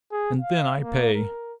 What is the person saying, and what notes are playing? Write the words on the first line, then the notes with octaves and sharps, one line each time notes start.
And then I pay.
G#4
F5
A#3
A#4